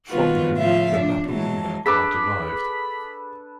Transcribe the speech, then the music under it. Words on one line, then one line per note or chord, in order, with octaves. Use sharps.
From them the Napo-runa are derived.
D#3 G3 B3 F4 F#4 B4
A2 C#3 F3 F4 E5 F5
D4
E3 F#3 G#3 A5
D4 G#4 A4 B4 B5 D6 B6